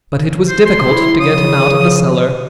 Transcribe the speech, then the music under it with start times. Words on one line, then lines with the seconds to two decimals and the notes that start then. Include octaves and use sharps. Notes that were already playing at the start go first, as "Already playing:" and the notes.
But it was difficult to get him out of the cellar.
0.49 C5
0.66 C6
0.87 E4
1.20 C#3 F3 D#6